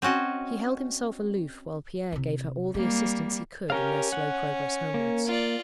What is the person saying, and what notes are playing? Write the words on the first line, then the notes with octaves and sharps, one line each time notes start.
He held himself aloof while Pierre gave her all the assistance he could in their slow progress homewards.
C4 C#4 F#4 D#5
C3 E4
G3 G#3 A#3 C4
C#4 G4 A#4 F5
F#5
A#3
F4 D5